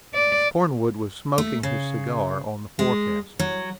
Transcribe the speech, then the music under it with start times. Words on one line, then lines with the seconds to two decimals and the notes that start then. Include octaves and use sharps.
Cornwood was smoking his cigar on the forecastle.
0.14 D5
1.38 A3
1.63 C#3
2.79 G#3
3.39 F#3